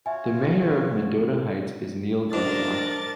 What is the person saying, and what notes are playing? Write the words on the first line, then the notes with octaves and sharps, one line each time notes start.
The mayor of Mendota Heights is Neil Garlock.
F4 F#4 C#5 E5 G#5
G#2 D4 A#4 A6